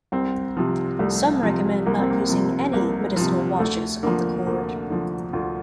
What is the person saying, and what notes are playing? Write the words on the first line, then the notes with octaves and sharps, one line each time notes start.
Some recommend not using any medicinal washes on the cord.
C2 C4
C3 F3
C2 A3
C3 F3
C2 A#3
C4
A#3
C3 F3
C2 A#3
C3 F3
D2 A3
D3 F3 A#3
D2 A#3
D3 F3
D2 F4